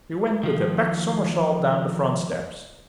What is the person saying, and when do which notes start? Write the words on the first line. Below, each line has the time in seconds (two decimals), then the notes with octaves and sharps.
We went with a back somersault down the front steps.
0.43 D#3 F3